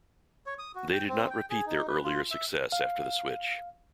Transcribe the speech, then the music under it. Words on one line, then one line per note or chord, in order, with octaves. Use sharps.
They did not repeat their earlier success after the switch.
C#5
D#6
F#4
G5
C4
G5
G#4
D#4
B4
F4
E5
F5